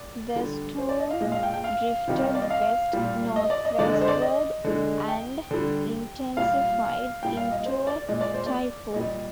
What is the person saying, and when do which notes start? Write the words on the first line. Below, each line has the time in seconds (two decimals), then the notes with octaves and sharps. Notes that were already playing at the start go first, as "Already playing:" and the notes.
The storm drifted west-northwestward and intensified into a typhoon.
Already playing: D5
0.35 D3 G3
0.78 C5
0.89 D5
1.00 D#5
1.11 F5
1.21 A#2 G#3 D#5
1.32 F5
1.43 G5
1.54 G5
1.64 F5
2.08 C3 D#3 G3
2.35 D5
2.42 D#5
2.50 F5
2.93 A#2 G3
3.36 D#5
3.50 D5
3.65 D#5
3.78 D3 G#3 D5
3.93 D#5
4.01 C5
4.08 D5
4.22 D#5
4.64 D3 G#3
5.08 G5
5.51 D3 G3
6.36 A#2 G3 F5
7.23 A#2 G3 G5
7.37 F5
7.52 D#5
7.66 C5
7.87 D5
8.08 A#2 G#3 D#5
8.21 D5
8.34 C5
8.46 D5
8.94 A#2 G3 D#5